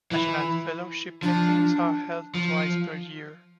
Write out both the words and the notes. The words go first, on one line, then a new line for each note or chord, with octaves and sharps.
National Fellowship meetings are held twice per year.
E3 E4
F3 D4
F3